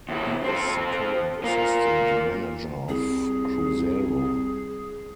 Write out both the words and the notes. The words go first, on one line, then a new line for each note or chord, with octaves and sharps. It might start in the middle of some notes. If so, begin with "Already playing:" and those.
He is the current assistant manager of Cruzeiro.
D#2 E4
C4 A4
A#3 F4
C2 G#4